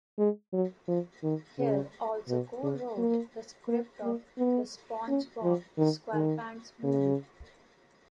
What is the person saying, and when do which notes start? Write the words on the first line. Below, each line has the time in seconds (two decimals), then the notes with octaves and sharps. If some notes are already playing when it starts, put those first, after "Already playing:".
Hill also co-wrote the script of "The SpongeBob SquarePants Movie".
0.18 G#3
0.53 F#3
0.88 F3
1.23 D#3
1.58 C#3
2.29 B2
2.63 C#3
2.98 A#3
3.68 A#3
4.03 A#3
4.38 B3
5.08 C#4
5.43 F3
5.78 D#3
6.13 D#3
6.83 C#3